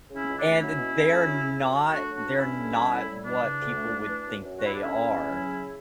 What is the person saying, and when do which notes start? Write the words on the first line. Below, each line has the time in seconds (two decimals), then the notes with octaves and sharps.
and th they're not they're not what people would think they are,
0.09 C#3
0.14 C#4 E4
0.27 C#2
0.38 A3 D4
0.59 F#3 C#4 E4
0.76 B2
0.92 E2
1.09 A3
1.25 F#3
1.43 C#3
1.60 F#2
1.76 F#2
1.92 A3 D4 F#4
2.09 F#3
2.14 D4 F#4
2.25 G2
2.36 C#4 E4
2.43 G2
2.59 A2
2.75 G3
2.91 A2
3.09 G3
3.25 E3 D4
3.41 C#3
3.58 D2
3.75 A3
3.92 A3
4.08 E3
4.25 F#2
4.42 F#2
4.58 G3 F#4
4.66 E4
4.73 D3 D4
4.81 C#4 E4
4.91 E2
5.09 E2
5.25 F#3
5.42 C#3